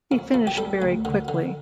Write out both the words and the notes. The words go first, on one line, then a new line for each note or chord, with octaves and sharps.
He finished very quickly.
F2
F2
G4
G3 A4
D2
D3
D3